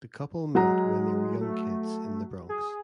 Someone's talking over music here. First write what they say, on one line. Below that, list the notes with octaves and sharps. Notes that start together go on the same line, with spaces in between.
The couple met when they were young kids in the Bronx.
F#3 G#3 F#5 A#5
A3
G#4